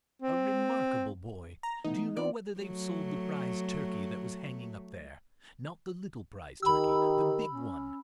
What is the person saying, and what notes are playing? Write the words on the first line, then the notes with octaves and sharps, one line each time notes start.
"A remarkable boy! Do you know whether they've sold the prize Turkey that was hanging up there?--Not the little prize Turkey: the big one?"
C4
A#5
E3 A3 B3 D#4
E3 C4 F4 D5
F#3 A3
D#3 G4 B5 E6
C#4